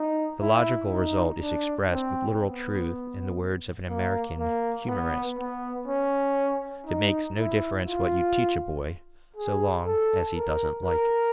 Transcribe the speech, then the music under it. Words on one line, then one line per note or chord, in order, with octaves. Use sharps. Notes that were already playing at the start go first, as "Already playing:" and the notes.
The logical result is expressed with literal truth in the words of an American humorist: "It makes no difference what you teach a boy so long as he doesn't like it."
Already playing: D#4
E4
D#4
D4
C4
B3
A#3
A#3
B3
B3
C#4
D#4
E4
F4
G#4
A4
A#4
A#4